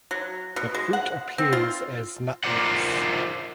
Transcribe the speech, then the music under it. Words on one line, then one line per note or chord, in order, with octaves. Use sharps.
The fruit appears as nutlets.
F#3
B2
G#3
F#5
C4
F4
F4 A#4 C5 D5 F#5